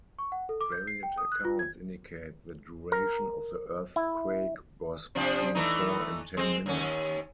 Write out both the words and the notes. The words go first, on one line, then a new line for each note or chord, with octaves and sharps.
Varied accounts indicate the duration of the earthquake was between four and ten minutes.
C#6
F#5
A4
D6
G6
C7
G5
D#6
F#6
F4
G#6
A#4
E4
C3 F3 D4
E3 A3 D#4
G#3 C4
D#2 C#4